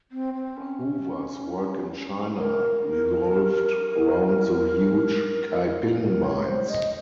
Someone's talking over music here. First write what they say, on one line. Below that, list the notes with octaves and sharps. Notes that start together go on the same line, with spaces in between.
Hoover's work in China revolved around the huge Kaiping Mines.
C4
C4
C#4
A#4
A#4
C#5
C5
D#5